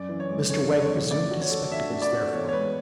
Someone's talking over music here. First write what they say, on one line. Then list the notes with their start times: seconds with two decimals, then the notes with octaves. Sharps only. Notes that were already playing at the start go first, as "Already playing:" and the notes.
Mr Wegg resumed his spectacles therefore.
Already playing: F#2 D5
0.09 E3
0.20 C#5
0.30 G#3
0.50 C#3 C#5
0.70 F#2
0.80 C#5
0.90 E3
1.10 A3 D5
1.31 F#4
1.41 C#5
1.51 A4
1.71 D4 E5
1.92 A3
2.02 D5
2.12 F#4
2.33 E2 C#5
2.48 C#5
2.53 G#3 B4